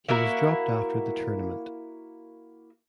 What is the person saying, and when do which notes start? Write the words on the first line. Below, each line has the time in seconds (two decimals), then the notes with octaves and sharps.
He was dropped after the tournament.
0.09 A#3 E4 F#4 A#4